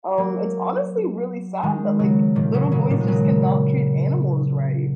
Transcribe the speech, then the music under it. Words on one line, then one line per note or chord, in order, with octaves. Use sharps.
Um, it's honestly really sad that, like, little boys just cannot treat animals right.
F#3 A#3
D#3 G#3
C#3 F#3
A#2 D#3
C#3 F#3
C#3 F#3
A#2 D#3
G#3
C#3 F#3